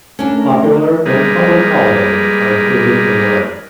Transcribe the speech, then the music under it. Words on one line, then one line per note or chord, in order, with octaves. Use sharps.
Popular and public holidays are included in the list.
A3 C#4 D4 A#4
G3 G#3 A#3 G#4 B4